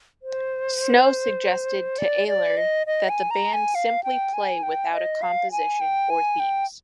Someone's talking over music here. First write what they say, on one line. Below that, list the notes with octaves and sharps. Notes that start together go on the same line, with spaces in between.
Snow suggested to Ayler that the band simply play without a composition or themes.
C5
D5
D5
D#5
D#5
G#5
A#5
G#5
F5
G5
G#5
G5
D#5
F5
G#5
G5
G#5
G5